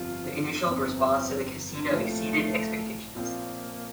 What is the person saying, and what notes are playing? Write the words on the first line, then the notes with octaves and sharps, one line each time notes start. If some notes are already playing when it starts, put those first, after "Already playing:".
The initial response to the casino exceeded expectations.
Already playing: G1 F2 C3 F3 F4
G1 F2 C3 C4
A#1 A2 F3 A3 C4 F4
A#2 F3 A#3 C4 F4